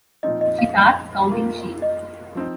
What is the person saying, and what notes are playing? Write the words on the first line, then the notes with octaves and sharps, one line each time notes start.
She starts counting sheep.
A#2 F3 C4 D#4 D#5
D#5
F5
A#3 F4 A#4
D#5
F3 C4 D#4